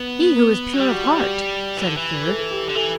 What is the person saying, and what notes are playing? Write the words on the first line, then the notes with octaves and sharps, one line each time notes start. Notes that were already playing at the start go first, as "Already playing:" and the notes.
"He who is pure of heart," said a third.
Already playing: B3
F#3
G3 G4
F#4
F#4
G4
E3
D3
E3
A4
A4
G4
G4
D3
E3 A4